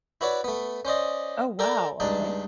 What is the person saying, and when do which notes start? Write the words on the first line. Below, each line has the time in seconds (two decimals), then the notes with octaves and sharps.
Oh, wow, okay.
0.21 E4 F#4 B4 C#5 D5
0.44 A3 B3
0.85 C#4 C5 D5 D#5
1.59 A4 A#4 D5 G5 A#5
2.00 C#2 G2 D4 D#4 A5